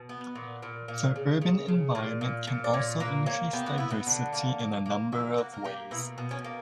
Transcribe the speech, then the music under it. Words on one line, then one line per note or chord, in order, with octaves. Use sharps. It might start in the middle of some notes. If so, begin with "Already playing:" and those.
The urban environment can also increase diversity in a number of ways.
Already playing: B2
B3
A#2
A#2
A#2
C#3
C#3
C#3
A#2
A#2
A#2
D5
A#2 C#5
A#3 B4
A#3 C#5
B3 G4
F#4
B3 E4
F#4
D3
A#3
A#3
A#3
A#3 E4
A#3 F#4
A#4
A#3 G4
B2 E4
B2
C#4
A#3